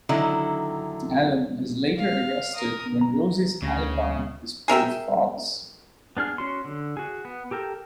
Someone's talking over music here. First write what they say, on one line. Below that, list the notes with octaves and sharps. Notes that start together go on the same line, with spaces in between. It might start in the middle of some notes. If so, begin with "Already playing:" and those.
Adam is later arrested when Rosie's alibi is proved false.
D3 D#3 F#3 E4
F5
A#4 D#6
A#5
D2 C#3 A#6
G#4 A#4 E5 G5
B3 D4 G#4 F6
C#4 F#4 C6
D3
F#4 G#4
B3
G4 A4 A#4 G5